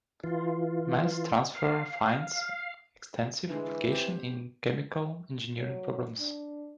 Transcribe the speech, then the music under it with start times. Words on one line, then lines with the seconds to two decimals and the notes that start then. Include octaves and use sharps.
Mass transfer finds extensive application in chemical engineering problems.
0.24 E3 F4
1.55 F5
3.50 D3 E3 G#3
3.92 C4 G4
5.57 F#3
6.19 D4